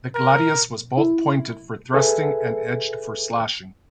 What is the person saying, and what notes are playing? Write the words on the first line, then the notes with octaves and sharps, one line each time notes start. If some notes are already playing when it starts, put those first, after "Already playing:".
The gladius was both pointed for thrusting and edged for slashing.
A#4
E4
G#4 A4 B4 E5 G#5